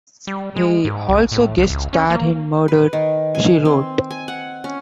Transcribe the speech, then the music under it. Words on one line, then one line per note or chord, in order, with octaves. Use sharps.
He also guest starred in "Murder, She Wrote".
G3
G#3
G#2
C2
A2
C2
C#2
C#4
A#3
B4
D#3
G#5
C4
G#5
F#5
C#4